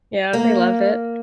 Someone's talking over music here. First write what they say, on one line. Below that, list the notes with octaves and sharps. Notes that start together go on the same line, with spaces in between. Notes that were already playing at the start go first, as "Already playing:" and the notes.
Yeah, they love it.
A#3